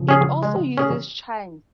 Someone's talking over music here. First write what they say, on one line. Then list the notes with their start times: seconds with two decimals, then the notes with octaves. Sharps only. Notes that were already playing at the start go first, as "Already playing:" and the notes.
It also uses chimes.
Already playing: C#3 F3
0.09 C#4 G#4
0.43 G#3
0.78 C#4 G#4